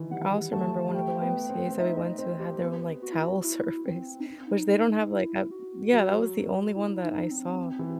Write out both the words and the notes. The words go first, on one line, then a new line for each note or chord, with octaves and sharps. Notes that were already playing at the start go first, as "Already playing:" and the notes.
I I also remember one of the YMCAs that we went to had their own, like, towel service, which they don't have, like, a yeah, that was the only one that I saw.
Already playing: D#3 E3
G3 F#5
A3 A5
G3
A3 G5
B3
C4
C4
D#4 E5
D#5
C4
G4
B3
F#4
E4
F#4
E4
C4
D#4
C4
D#4
D#4
D#4
D#4
E4
F#4
F#3 F#4
E4
D#4
C4
E3